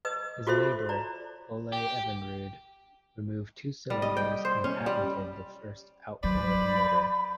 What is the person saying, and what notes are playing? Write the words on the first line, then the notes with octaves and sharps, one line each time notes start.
His neighbor, Ole Evinrude, removed two cylinders and patented the first outboard motor.
B4 D#5 D#6
F4 F#4 A4 C5 E5 C6
D5 A#5
G4
G3
D#5
G5
C5
C#4
G3
F#3 B4 C5 D5 B5